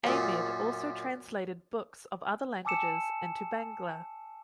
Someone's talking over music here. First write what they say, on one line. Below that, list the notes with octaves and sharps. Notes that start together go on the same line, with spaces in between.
Amed also translated books of other languages into Bangla.
F#2 A#2
G#5 A5 D6 E6 C#7 E7